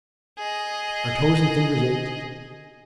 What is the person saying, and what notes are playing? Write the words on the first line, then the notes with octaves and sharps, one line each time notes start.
Our toes and fingers ached.
G#4 D#5